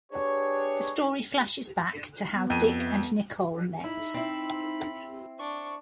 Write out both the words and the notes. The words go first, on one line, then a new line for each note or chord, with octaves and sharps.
The story flashes back to how Dick and Nicole met.
D4 G4 G#4 B4 C#5
B3
F2 D#7
D#4 E4 B5
C4 E4
D4 C#6